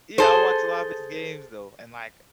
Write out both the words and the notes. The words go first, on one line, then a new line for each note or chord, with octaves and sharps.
Yeah, I watched a lot of his games though, and, like,
G#4 A4 C5